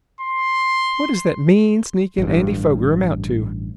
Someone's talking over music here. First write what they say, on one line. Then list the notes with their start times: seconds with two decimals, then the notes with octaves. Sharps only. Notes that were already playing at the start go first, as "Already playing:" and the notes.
What does that mean, sneaking Andy Foger amount to?
0.21 C6
2.18 A1 G2